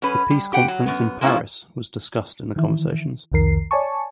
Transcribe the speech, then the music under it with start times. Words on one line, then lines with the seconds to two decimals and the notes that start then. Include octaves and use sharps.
The Peace Conference in Paris was discussed in the conversations.
0.02 F#2 C#4 B4
0.31 G3
0.53 G4 F#5 G5
0.68 F#3
0.86 F#2 B3
1.21 G#3 A#3 C#4 E4 F4
2.56 D#3 E3 E4
3.32 C2 F2 D#3 A#4 C7
3.71 C#5 D5 G#5 A5 C#6